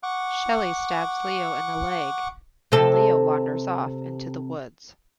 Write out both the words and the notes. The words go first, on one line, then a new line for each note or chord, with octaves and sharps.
Shelly stabs Leo in the leg, and Leo wanders off into the woods.
F#5 C#6 D6
C3 A4